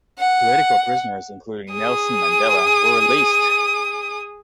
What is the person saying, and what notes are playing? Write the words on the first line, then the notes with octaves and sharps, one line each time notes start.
Political prisoners including Nelson Mandela were released.
F#5
G#4 D#6